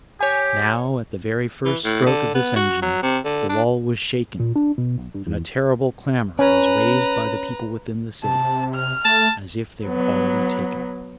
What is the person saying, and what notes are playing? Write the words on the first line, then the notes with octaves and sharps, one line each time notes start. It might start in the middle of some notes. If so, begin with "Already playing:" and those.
Now, at the very first stroke of this engine, the wall was shaken, and a terrible clamor was raised by the people within the city, as if they were already taken.
G4 C#5 G#5
E3
A2
D3
B3
F#4
F#3
C3
D3
D4
A#2
D4
B2
B1
G2
E2
C#4 B4 A#5
C3 A5
F6
A3 A5
F#3 B3